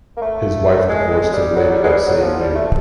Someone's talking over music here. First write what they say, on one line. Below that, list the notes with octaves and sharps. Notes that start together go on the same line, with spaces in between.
His wife divorced him later that same year.
A#3
A3
G#3
G#3
G3
F#3
G3
G#3
G3
F#3
F3
G3
A3